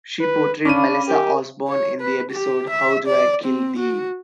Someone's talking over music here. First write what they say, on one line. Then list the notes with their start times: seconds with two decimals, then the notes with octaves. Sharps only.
She portrayed Melissa Osborne in the episode How Do I Kill Thee?
0.20 B4
0.65 C#4 D4 F5 B5 D6 D#7
1.07 G4 A#4 G#5
1.68 C#5
2.01 B4
2.31 G4
2.70 E5
3.07 D5
3.44 C4
3.79 F#4